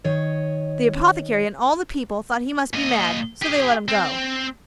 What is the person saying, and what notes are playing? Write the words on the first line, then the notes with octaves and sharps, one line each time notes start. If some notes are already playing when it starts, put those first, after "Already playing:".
The apothecary and all the people thought he must be mad, so they let him go.
D#3 C#5 D#5
A#2 D#5
G4 G#4
C4